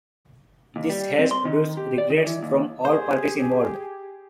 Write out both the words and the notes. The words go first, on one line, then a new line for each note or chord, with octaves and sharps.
This has produced regrets from all parties involved.
D#2
G3
C4
C6
D#3
G4
D5
D#3
E3
D#2
G4 G#4 C5